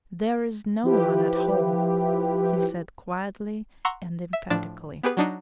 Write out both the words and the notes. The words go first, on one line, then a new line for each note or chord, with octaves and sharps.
"There is no one at home," he said quietly and emphatically.
F3 E4 G4 B4
F#5 A#5 C6 C#6 E6
E5
A2 F3 D4 A6 E7
B3 G4 G#4 B4
F#3 D4 D#4